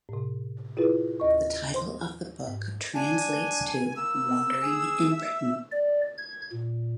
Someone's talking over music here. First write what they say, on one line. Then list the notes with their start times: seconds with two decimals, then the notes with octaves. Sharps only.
The title of the book translates to "Wandering in Britain".
0.09 A2 C3
0.77 E4 F4 G#4 B4
1.20 D#2 D#5 C#6
1.74 C5 C6
2.47 G#2
2.94 D4 G#5
3.96 A#3 E6
4.62 G#4
5.12 E5
5.72 D5
6.18 G#6
6.52 A#2